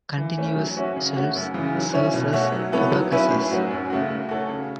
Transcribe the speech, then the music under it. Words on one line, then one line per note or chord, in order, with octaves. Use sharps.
Continuous shelves serve as abacuses.
E3
A3 C#4
F#3
C#4 F#4 C#5 E5
C#3
A3 F#4 C#5
F#2
C#3 E3
F#3
C#4 E4 C#5 E5
B2
A3 F#4 C#5 E5
F#3
B3 E4 A4 C#5
F#3
C#4 E4 B4 E5
A2
F#3 C#4 F#4
F#2
C#3 A3 F#4
A3
F#4 A4 C#5
C#3